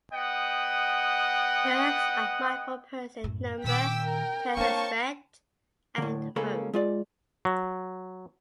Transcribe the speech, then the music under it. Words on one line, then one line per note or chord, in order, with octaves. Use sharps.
Verbs are marked for person, number, tense-aspect, and mode.
B3 D#5 F#5 G5
F#2 A2
A#2 D#3 G5 D6 E6 B6
A#4
A#3 C4 D4 C5 C#5 A5 C#6
A2 D3
C#2 C#3 A#3 C#4 A4 B5
G#3 F4 D5
F#3